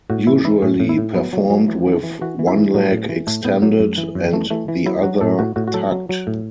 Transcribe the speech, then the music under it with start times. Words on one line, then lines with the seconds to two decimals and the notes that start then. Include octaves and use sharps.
Usually performed with one leg extended and the other tucked.
0.10 A2 F#4
0.27 E3 E4
0.45 E3 E4
0.62 A2 C#4
0.80 A2
0.89 E4
0.98 A2
1.15 F#3 B3
1.33 F#3
1.50 F#3
1.68 E3
1.86 E3
2.03 E3
2.21 E3 F#4
2.39 E3
2.47 E4
2.56 E3
2.74 A2 F#3
2.92 A2
3.09 E3
3.27 A2 A3
3.44 A2 B3
3.62 A2 F#3
3.79 F#2
3.98 E3
4.15 F#2
4.33 E3 A3
4.50 E3 A3
4.68 E3
4.86 F#3 E4
5.03 F#3 F#4
5.21 A2 A4
5.39 A2 F#4
5.56 A2 F#4
5.67 F#4
5.74 F#3 A4
5.92 F#3
6.09 F#3
6.27 A2